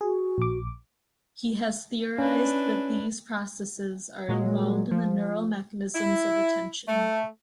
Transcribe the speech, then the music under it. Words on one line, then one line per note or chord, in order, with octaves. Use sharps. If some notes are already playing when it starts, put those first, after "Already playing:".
He has theorized that these processes are involved in the neural mechanisms of attention.
F#4 G#4
A#1 D6
C#4 D4 E4 B4
A#2 F#3 G#3
F3
E4
A3